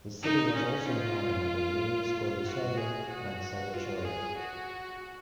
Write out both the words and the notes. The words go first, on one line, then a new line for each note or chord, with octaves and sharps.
The city was also known under names Gordoserbon and Servochoria.
D#4
C#4
F4
F#4
G#4
F#4
F4
G#4
F#4